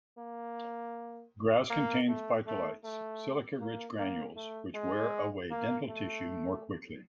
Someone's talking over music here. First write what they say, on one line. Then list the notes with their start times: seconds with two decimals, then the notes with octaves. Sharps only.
Grass contains phytoliths, silica-rich granules, which wear away dental tissue more quickly.
0.18 A#3
1.70 A#3
2.08 A3
2.47 A3
2.84 A3
3.60 A#3
3.99 A#3
4.36 A3
4.74 G#3
5.51 A#3
5.88 A3